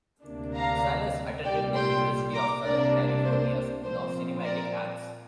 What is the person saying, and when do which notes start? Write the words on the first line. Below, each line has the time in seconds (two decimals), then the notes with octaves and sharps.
Salles attended the University of Southern California School of Cinematic Arts.
0.24 D2 C3 A#3 D4
0.54 F5 A#5
1.44 C2 A#2 G3 D5 G5
1.74 G5 C6
2.34 A#5 D6
2.64 C2 C3 A#3 D4 A#4 D5
3.23 C5
3.84 A#2 F3 C4 C5
4.43 A#4 D5